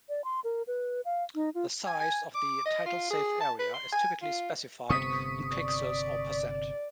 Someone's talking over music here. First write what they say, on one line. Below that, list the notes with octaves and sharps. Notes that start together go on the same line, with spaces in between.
The size of the title-safe area is typically specified in pixels or percent.
D5
C6
A#4
B4
F5
D#4
F4
G#5
G#5
D6
D#5
F4
G#4
A5
B4
C6
G#5
F4
G1 C3 B3 C#6 D#6 B6
D5